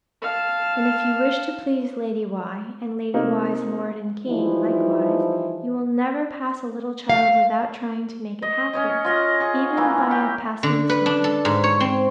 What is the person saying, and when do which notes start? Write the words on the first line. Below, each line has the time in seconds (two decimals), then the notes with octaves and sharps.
Then if you wish to please Lady Why, and Lady Why's Lord and King likewise, you will never pass a little child without trying to make it happier, even by a passing smile.
0.22 F5 A5
3.14 C3 A#3 D#4
4.28 E3 F3 G3 D#4 E4
7.09 F5
8.42 D#5
8.73 C#4 C#5 D#5
9.04 F4 D#5 F#5
9.40 G#4 C#6
9.77 E3 A3 A#3
10.11 G4
10.63 D3
10.90 B4
11.06 D4
11.24 A4
11.45 G#2
11.64 C#5
11.80 C4